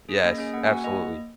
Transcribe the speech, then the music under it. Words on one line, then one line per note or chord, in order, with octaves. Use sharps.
yes, absolutely.
C#4 G#4
A#3 D#5
C#4 G#4
A#3 F#5
G#5
F#4 F#5
A#3 D#5